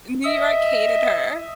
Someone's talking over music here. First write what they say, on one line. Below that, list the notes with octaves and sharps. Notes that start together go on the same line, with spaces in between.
New York hated her.
D#5 E5